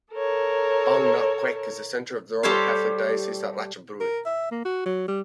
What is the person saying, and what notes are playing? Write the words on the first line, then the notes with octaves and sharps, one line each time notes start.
Bang Nok Khwaek is the centre of the Roman Catholic Diocese of Ratchaburi.
A4 A#4 C#5
G3 G4 A4 C5 C#5 F5
A#4
E5
A#3
F#4
F#3
G3